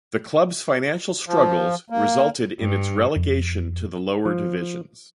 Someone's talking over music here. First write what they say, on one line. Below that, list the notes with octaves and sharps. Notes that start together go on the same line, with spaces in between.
The club's financial struggles resulted in its relegation to the lower divisions.
F3
A#3
G2
F2
F3